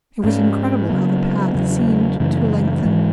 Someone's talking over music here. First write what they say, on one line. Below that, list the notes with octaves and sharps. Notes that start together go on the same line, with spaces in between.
It was incredible how the path seemed to lengthen.
G#2 G#3 C#4
C#3 F#3 B3
E2 C#3 F#3
F#2 C#3 E3 A3
G#2 E3 G#3